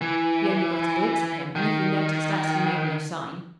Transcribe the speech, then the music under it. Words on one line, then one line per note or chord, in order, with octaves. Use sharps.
We only got a glimpse of him, and if he noticed us he made no sign.
E3
D#3